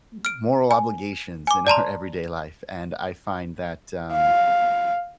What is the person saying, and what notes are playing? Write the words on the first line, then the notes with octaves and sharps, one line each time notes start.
m moral obligations in our everyday life, and I find that, um,
F6 D7
G#5
G#5 D6
D5 A5 A#5 C6
F5